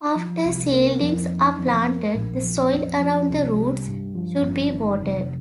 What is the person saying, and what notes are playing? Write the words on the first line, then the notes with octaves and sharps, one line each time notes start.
After seedlings are planted, the soil around the roots should be watered.
F3
C2
A#3
F2
D#4
F2
A#3
A#1
F3
F2
F3
C2
G3
G2
F3
G1
D#3
F1